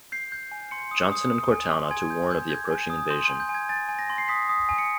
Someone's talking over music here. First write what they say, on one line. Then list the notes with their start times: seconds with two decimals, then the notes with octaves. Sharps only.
Johnson and Cortana to warn of the approaching invasion.
0.12 G6 C7
0.32 G6
0.52 G#5
0.71 C6 C#7
0.91 D#6
1.12 D#6
1.32 D#6
1.51 G#5
1.71 C6
1.91 G#5 G#6
2.10 G6
2.31 G6
2.50 G6 G#6
2.71 G#5
2.90 D#6
3.10 C6 G6
3.30 G#5
3.40 G6
3.49 G#5
3.55 G#6
3.69 G#5 A6
3.89 G#5
3.99 A#6
4.10 C6
4.18 C7
4.28 D#6 B6
4.49 D#6
4.69 G#5
4.78 C#7